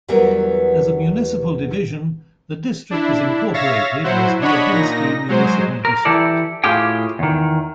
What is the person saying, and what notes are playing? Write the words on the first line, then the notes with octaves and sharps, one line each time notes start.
As a municipal division, the district is incorporated as Giaginsky Municipal District.
E2 E3 F#3 G3 B3 A#4
D4 E4
C#5 E5 F5 A6 A#6
F#3 E4 F#4 C5
D4 C#5 D#5 F#5 B5 C#6
A#2 D#4 A#6
F#3 G#3 C5
A#4
E3 E4 G4 A4 D5
A2 F4 G4 G#4 G5
E2 D#3